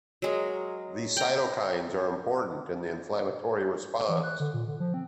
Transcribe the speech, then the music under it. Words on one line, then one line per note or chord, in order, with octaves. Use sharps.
These cytokines are important in the inflammatory response.
F#3 G#3 A#4
G5 A#5
E3
F#6
D3
A#2
D3
F3
C4